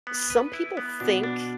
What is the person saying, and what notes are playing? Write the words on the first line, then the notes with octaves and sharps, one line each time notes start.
some people think
B3
B4
E4
B3
B2 D4
D4